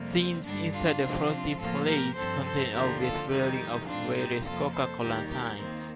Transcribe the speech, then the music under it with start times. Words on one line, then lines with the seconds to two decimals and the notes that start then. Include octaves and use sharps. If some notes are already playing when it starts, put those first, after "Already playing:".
Scenes inside the Frosty Palace contain obvious blurring of various Coca-Cola signs.
Already playing: F2 C3 G3 A#3
0.17 C4
0.45 G2 D3 G3 D4
0.73 D4 F4
1.02 C3 F3 C4
1.59 A2 F3 A#3 F4 A4
1.88 G4 A#4
2.15 G2 F3 C4 A4 C5
2.45 A4 C5
2.74 D#2 D3 F3 G4 A#4
3.02 F4 A4
3.30 F2 D#3 G3 D#4 G4
3.87 A2 G3 C4 D4 F4
4.16 D#4 G4
4.44 F2 C3 F3 A#3 F4 A4
4.72 A4 C5
5.01 D#2 D#3 G3 G4 A#4
5.30 G4 A#4
5.58 D#2 D#3 A#3 C4